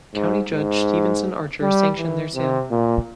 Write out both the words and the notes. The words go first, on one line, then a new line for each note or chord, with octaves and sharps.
County Judge Stevenson Archer sanctioned their sale.
G#2
G#2
G3
E3
C3
A#2